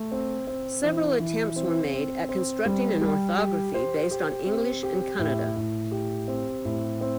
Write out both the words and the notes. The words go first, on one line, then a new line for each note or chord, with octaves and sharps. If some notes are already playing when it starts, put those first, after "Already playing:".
Several attempts were made at constructing an orthography based on English and Kannada.
Already playing: A3
C4
C4
E3
E3
C4
C4
C4
G3
G3
G4
C5
G4
C4
G4
A2
A2
G4
C4
A2
C4